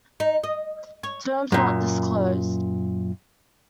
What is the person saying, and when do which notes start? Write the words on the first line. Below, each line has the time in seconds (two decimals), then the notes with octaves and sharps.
Terms not disclosed.
0.20 D#4
0.44 D#5
1.03 C#5
1.52 F#2 A#2